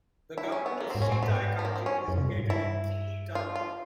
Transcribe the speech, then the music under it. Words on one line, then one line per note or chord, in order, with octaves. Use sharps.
The government of Shitai County is located in Qili Town.
E4
C#4
B3
A#3
G#2 C4
C#4
A2 C4
G#2 B3
B3
A#3
C4
C#4
F#2
C3
G2
G#2
G2 E4
F4
F4